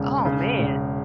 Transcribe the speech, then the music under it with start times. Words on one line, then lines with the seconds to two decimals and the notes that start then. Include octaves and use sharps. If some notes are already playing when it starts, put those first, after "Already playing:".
Oh, man.
Already playing: E1 C#3
0.25 C#3
0.59 E1